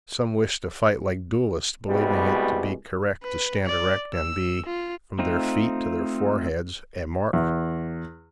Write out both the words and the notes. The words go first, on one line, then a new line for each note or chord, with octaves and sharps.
Some wished to fight like duelists, believing it to be correct to stand erect and be, from their feet to their foreheads, a mark.
C2 B2 G3 G#3
B4
D5
E6
F4
A3 C4 D#4 F4
E2